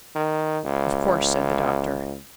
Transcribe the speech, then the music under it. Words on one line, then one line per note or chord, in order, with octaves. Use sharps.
"Of course," said the doctor.
D#3
C#2